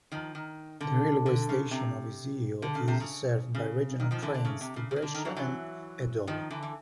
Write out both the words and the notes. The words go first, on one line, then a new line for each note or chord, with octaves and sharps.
The railway station of Iseo is served by regional trains to Brescia and Edolo.
D#3 F3
D#3
D3
D3
C#3
C3
D3
C#3
C3
C#3
C#3
D#3
D#3 F3
D3 E3
D3
C#3
C3
C#3
C#3
D#3
D3
D#3
E3 F#3
E3 F#3
D#3 F3
D3 E3
E3